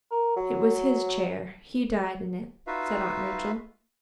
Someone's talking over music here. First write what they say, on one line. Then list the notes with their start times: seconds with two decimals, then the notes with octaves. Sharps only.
"It was his chair; he died in it," said Aunt Rachel.
0.11 A#4
0.36 F#3
2.67 D#4 F4 F#4 B4 E5 F5